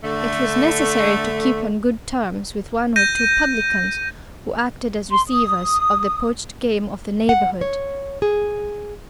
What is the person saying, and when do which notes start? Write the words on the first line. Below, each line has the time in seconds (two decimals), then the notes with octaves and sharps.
It was necessary to keep on good terms with one or two publicans who acted as "receivers" of the poached game of the neighbourhood.
0.03 D3 A3
2.96 G6 A#6 D#7
5.10 C6
5.28 D#6
7.29 F#5
7.61 C#5
8.22 G#4